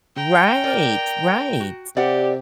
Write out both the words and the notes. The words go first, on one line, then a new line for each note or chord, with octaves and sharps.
Right, right.
G5 A#5
A#4 D5
F#4
C3 G4 D5 F#5